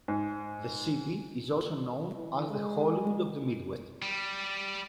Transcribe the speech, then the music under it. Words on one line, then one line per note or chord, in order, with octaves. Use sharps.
The city is also known as the Hollywood of the Midwest.
G#2
E3
G#3
G3